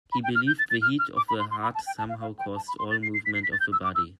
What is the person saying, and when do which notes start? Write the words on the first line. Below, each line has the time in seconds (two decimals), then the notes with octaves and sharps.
He believed the heat of the heart somehow caused all movement of the body.
0.12 B5
0.24 G5
0.35 F6
0.47 G6
0.59 A6
0.70 A6
0.82 F6
0.99 F6
1.17 D6
1.29 B5
1.40 C6
1.51 C6
1.63 B5
1.75 A5
1.87 G5
1.98 A5
2.09 F5
2.21 F5
2.39 G5
2.56 A5
2.68 B5
2.79 C6
2.91 A6
3.03 C7
3.14 C7
3.25 B6
3.35 C7
3.43 B6
3.52 A6
3.60 G6
3.72 E6
3.84 D6
3.95 E6